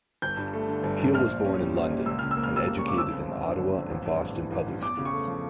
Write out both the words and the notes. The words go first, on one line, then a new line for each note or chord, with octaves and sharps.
Peel was born in London and educated in Ottawa and Boston public schools.
G1 G6
G2
A3
D3
G1
G2
A#1 F6
A#2
C#4
G3
A#1
A#2
C#2 E6
C#3 F6
E6
A#3
F6
G3 E6
C#2
C#3 C#6
D6
G1 E6
F2
G1
D3
G1
F2
A1
G2
A1
E3
A1
G2
E2 D6
C#3
C#6
A3
F3